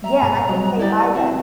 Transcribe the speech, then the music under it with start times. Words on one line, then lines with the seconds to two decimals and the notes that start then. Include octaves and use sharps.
Yeah, and I think they hide it.
0.04 E5 A#5
0.22 G2 B2 G#4
0.49 F#3 G3 D#5
0.79 E4 G4 D5
1.14 C#2 C4 E4 F#4 A5